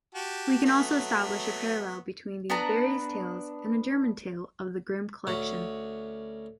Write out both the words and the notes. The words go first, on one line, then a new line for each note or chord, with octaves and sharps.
We can also establish a parallel between these various tales and a German tale of the Grim collection.
F#4 G4 A5
F#3 A3 B3
B3 D4 B4 A#5
D2 C#4